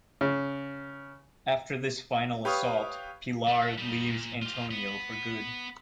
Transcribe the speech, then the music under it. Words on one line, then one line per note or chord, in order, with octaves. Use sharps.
After this final assault, Pilar leaves Antonio for good.
C#3
G4 B4 C#5 F5 C#6 D#6
A3
G3 D#4
A#2
F4 G4
B3